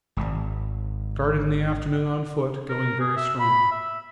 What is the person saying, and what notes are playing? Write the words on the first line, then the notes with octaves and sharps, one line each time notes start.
Started in the afternoon on foot, going very strong.
D1 G#1
A#4
G#4
E5
B5
E5